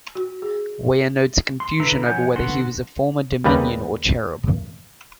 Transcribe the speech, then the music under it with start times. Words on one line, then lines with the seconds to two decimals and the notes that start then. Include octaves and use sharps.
Weyer notes a confusion over whether he was a former Dominion or Cherub.
0.15 F#4
0.42 G#4
1.60 C6
1.80 D3 E4 B4 A#5 E6
2.06 F3 C#5 F#5 G#5 G6
2.36 D3 B3 F#4 C6
3.44 D#2 C#3 G3 B4 A#5